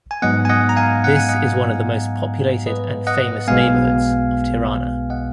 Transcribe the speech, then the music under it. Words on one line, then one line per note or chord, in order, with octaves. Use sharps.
This is one of the most populated and famous neighborhoods of Tirana.
G#5
G#2 F#3 B3 D#5 F#5
G#5
D#5 F#5
A#5
F5 G#5
F#5
G#5
D#5 F#5
B4 D#5
D#5 F#5
B1 B2 G#3 B3 F5 G#5
D#5 F#5